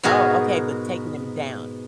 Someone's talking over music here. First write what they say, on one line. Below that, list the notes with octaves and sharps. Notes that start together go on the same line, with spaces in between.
Oh, okay, but taking him down.
G#2 B2 F#4 G#4 A#4